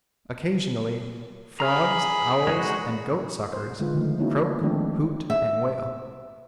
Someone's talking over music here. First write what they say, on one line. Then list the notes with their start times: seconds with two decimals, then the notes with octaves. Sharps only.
Occasionally frogs, owls, and goat-suckers croak, hoot, and wail.
1.60 G#4 A#5 B5 F6
2.47 G#3 D#4 F#4
3.53 C5
3.79 D3 G#3 F4 B4
3.94 D3 D#3 F3 A3
4.19 A#3 B3 C#4 D#4 E4 F#4
4.36 F#4
4.61 D#3 F3 G#3 A3 C4 D4
5.30 E5